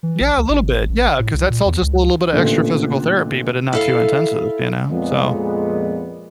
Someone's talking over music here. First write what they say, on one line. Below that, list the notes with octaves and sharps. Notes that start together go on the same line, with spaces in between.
Yeah a little bit, yeah, 'cause that's all just a little bit of extra physical therapy, but a not too intensive, you know? So,
E3
A#1
C#2
G#1
A1
A2
C2
A#2
E2
C#2
A1 A#2 D3
E4 A4 F5
F2 A#2 G#3 B3